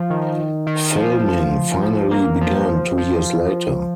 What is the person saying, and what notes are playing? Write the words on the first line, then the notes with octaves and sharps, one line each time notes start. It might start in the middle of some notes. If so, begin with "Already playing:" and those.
Filming finally began two years later.
Already playing: F3
D#3
D#3
F3
F3
A#3
F3
F3